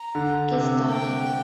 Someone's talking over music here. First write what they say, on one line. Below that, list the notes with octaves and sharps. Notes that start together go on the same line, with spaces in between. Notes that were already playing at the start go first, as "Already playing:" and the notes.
Get Started!
Already playing: A#5
D3
C3
C3 G5